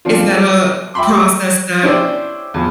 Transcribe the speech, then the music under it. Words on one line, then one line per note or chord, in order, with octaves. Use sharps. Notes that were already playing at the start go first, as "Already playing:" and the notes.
is that a process that
F3 C4 D4 F4
E5 G5 B5 C6 D6
G3
C#4 D4 E4 G4 C5 D5
E2 F3